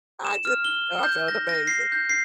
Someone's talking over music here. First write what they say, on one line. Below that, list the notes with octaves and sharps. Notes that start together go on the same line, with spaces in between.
I just I felt amazing.
E7
F6
G7
G6
A#6
A#6
C7
G6
C7